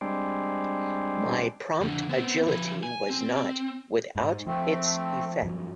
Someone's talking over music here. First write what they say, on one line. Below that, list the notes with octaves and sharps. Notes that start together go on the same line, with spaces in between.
My prompt agility was not without its effect.
G3 G#3 C4 D4
F2 D3
B3 C4
F3 B4
G#5
C4
G#2
F3 A3 C4
G2 F3 F#3